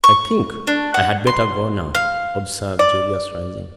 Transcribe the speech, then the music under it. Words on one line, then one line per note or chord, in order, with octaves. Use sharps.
"I think I had better go now," observed Julius, rising.
C#6
D4
F#5
C6
F5
D5